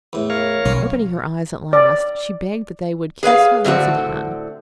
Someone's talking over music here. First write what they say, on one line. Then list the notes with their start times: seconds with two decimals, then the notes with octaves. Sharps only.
Opening her eyes at last, she begged that they would kiss her once again.
0.13 E2 A2
0.30 A#4 C#5 F5
0.65 B1 C#4
1.73 D5
3.23 G#4 B4 C#5 F5
3.64 A2 D3 C4 F#4